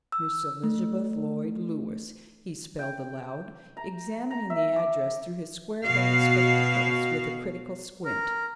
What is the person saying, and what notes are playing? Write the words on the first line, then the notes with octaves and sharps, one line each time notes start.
"Miss Elizabeth Lloyd Lewis," he spelled aloud, examining the address through his square-bowed spectacles with a critical squint.
E6
A3
G5
A#5
A#5
E5
D6
B2 F#4 F5
A#4